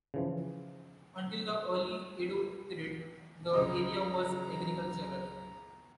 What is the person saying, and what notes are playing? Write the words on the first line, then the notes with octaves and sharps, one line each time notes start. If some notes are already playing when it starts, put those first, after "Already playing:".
Until the early Edo period, the area was agricultural.
C#3 E3 F3
C#2 C#3 F#3 D#5 A#5